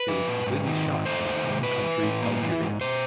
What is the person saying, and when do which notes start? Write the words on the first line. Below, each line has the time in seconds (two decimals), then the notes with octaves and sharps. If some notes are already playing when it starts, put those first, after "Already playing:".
It was completely shot in his home country Algeria.
Already playing: B4
0.08 F3
0.28 A#2
0.46 G#2
0.66 D#3
0.86 G#2
1.05 A3 C5
1.25 D#3
1.44 C3
1.63 A2 B4
1.84 E3
2.03 A2
2.22 A#3
2.42 E3
2.61 G#2
2.81 B2 C5